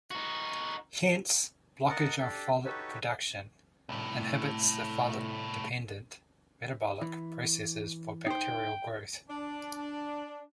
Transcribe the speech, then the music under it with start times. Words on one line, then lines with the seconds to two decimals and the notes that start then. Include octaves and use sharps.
Hence, blockage of folate production inhibits the folate-dependent metabolic processes for bacterial growth.
0.11 D#4 F#4
1.90 A#4 D#5 F#5 A5
2.18 D4 G4 A4
2.65 D#4 F#4 G4 A4 B4 C#5
3.89 C2 A2
7.02 E3
8.26 D#4 C5 G5
9.30 D4